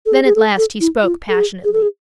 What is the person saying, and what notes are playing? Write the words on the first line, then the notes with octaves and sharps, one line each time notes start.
Then at last he spoke passionately.
A4
G#4
G#4
A4
A4
E4
F4
A4
G#4
G#4
A4
G#4